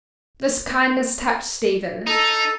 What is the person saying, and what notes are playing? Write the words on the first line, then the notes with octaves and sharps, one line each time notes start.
This kindness touched Stephen.
D#4 A4